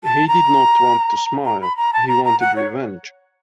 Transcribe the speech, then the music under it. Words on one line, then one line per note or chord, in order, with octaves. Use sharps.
He did not want to smile; he wanted revenge.
A5
A#5
A#5
B5
A#5
A5
A#5
A#5
F#5
C#5